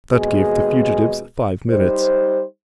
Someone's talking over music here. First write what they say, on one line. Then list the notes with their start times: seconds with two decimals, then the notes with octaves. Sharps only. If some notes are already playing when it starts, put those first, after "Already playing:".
That gave the fugitives five minutes.
0.13 D#2 B2 G#3 G#4 D#5
1.70 G3 D#4 C5